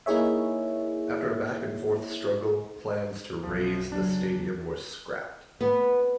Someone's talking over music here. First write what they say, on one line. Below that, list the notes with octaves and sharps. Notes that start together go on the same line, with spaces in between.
After a back and forth struggle, plans to raze the stadium were scrapped.
A#3 D#4 E4 G#4 C#5 E5
B1 F#2 F3
C#3 F#3 D4
B3